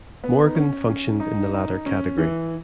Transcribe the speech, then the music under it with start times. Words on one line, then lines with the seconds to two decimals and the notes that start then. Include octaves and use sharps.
Morgan functioned in the latter category.
0.24 B3
0.46 D#4
0.55 C#4
0.88 C#4
1.20 D#4
1.53 D#4
1.86 C#4
2.18 E3